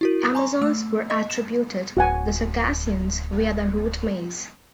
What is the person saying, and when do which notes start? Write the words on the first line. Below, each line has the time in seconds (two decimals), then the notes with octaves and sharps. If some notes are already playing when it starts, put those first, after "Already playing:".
The Amazons were attributed to the Circassians via the root "maze".
0.01 E4 F#4 A#4
0.35 G#5 A#5 C6 C#6
0.62 A3 E6
1.10 D#5
1.30 E7
1.97 D1 F#4 F#5 G#5